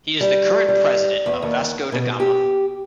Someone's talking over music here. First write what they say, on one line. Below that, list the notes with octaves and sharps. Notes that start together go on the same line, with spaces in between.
He is the current president of Vasco da Gama.
G3
G3
E2
D#2
B2
G4